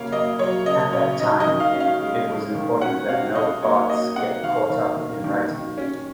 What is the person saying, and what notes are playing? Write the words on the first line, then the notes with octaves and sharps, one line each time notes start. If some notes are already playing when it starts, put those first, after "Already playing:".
At that time, it was important that no parts get caught up in writing.
Already playing: C#3 A#3 C#5 F5
A#3 D#5
F#3 C#5
C#3 D#5
C#3 C#5
D#3 D#5
D#5
D#3
F5
C#4
F5
G#3
G#3
D#3
C#4 F#5
C3 F5
C3 D#5
A#3 C#5
A#3 D#5
C3 F#5
D#3 F5
D#3
D#3
D#3
D#3
C#4